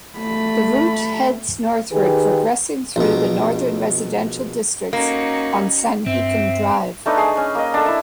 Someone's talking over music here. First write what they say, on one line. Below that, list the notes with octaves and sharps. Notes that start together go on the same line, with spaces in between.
The route heads northward, progressing through the northern residential districts on Sanhican Drive.
A3 B5
D#3 G4 G#4 B4
A#1 B2
A#3 C#4 D#4 F#4
G2 C4 E5
A3 D4 D#4 B4
G#4
C#4
A#3 D#5
D4 A4
E4 E5